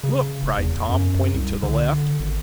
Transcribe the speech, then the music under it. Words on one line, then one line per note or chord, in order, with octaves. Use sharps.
"Look!" cried Tom, pointing to the left.
C#3
F1
E2
F#2
C2
D3
G#1